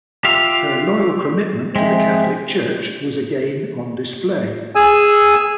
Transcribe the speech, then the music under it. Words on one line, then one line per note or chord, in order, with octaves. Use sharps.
Her loyal commitment to the Catholic Church was again on display.
F4 G4 E5 F5
F3 G#3 C4 E5
G#4 G#5 E6